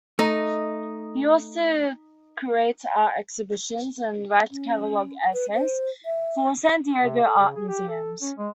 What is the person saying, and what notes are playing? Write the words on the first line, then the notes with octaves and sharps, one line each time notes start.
He also curates art exhibitions and writes catalog essays for San Diego art museums.
A3 D#4 D#5
C#4
B4
C5
E5
C3
A4
C#3
G#4
G4
A4
C#4
G#3